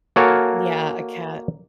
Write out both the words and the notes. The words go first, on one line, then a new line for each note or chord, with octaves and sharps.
Yeah, a cat.
A#3 F#4 A4 A#4 C#5 G#5